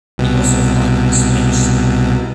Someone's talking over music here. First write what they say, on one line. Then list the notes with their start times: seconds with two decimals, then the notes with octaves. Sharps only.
He also fought in the Spanish Civil War.
0.18 C2 B2